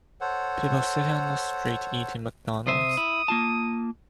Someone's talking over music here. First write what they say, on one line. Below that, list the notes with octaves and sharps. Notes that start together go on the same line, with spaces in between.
People sitting on the street eating McDonalds.
A4 C5 C#5 F#5
C3 C5 E5 D#6
E4
A#3 F4 A5